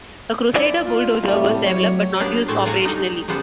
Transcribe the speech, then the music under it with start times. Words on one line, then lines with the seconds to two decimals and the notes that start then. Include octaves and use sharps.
A Crusader bulldozer was developed, but not used operationally.
0.55 E4 D5
0.86 F4
1.28 A2 C3 G3 A3
1.66 F#3 C#5
2.20 A#3 B3 D4 G4 D5
2.48 A2 G#3 A3 F#4 A4
2.65 F#3 D5 F5 F#5 G#5 A#5
2.85 G3 D#4
3.28 C#3 G3 B3 C5 F#5 A5